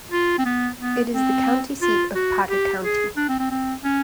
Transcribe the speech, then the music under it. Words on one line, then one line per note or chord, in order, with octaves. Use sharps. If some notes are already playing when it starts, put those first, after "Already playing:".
It is the county seat of Potter County.
F4
C4
B3
B3
C4
F4
F#4
G4
G#4
D4
C4
C4
C4
C#4